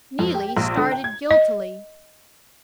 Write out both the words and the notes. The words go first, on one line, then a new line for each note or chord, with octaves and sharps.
Neelie started guiltily.
F2
G4
A#1
D3
G5
G#6
D#5